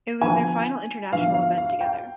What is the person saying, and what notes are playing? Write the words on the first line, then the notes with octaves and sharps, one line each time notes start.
It was their final international event together.
D3 F3 B3 G#5
D3 F3 B3 F5
F5
F5
G5